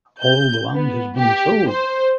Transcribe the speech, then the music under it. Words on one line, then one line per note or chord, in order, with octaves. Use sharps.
All the land has been sold.
G6
B3
G4
C5